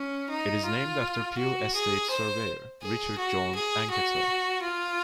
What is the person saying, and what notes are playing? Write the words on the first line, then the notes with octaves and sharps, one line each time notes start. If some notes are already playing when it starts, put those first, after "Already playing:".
It is named after Peel Estate's surveyor, Richard John Anketell.
Already playing: C#4
D#4
F4
F#4
G#4
C5
G#4
F#4
G#4
F#4
F4